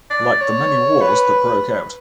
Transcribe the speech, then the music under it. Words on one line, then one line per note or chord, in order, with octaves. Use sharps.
Like the many wars that broke out.
D5
C#5
B4